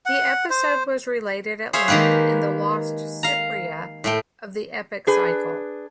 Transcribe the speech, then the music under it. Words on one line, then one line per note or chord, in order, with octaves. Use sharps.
The episode was related at length in the lost "Cypria", of the Epic Cycle.
F#5
C5
G#4 C5 C#5 E5 F5
D#3 G#3 A#3 G4 B4
F5 A#5
A2 A3 G5
D4 G#4 B4